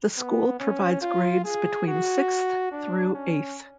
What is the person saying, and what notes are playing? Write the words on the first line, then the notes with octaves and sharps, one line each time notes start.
The school provides grades between sixth through eighth.
B3
C#4
F4
G#4
F#4
D4
C#4